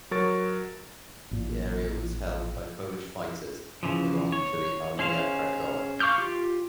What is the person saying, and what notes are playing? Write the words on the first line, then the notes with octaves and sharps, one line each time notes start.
The area was held by Polish fighters belonging to the "Armia Krajowa".
F#3 A#4 C#6 A6 D7
A1 A#2
C#3 E3 F3
C#5
C#4 G#4 C5 F5
F5 C#6 D6 F6 G6
F4 G4